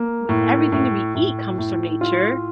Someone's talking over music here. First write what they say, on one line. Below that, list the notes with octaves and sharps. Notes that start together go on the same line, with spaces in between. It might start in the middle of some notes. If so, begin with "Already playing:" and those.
we everything that we eat comes from nature.
Already playing: A#3
A2
A2
A2
A2
F4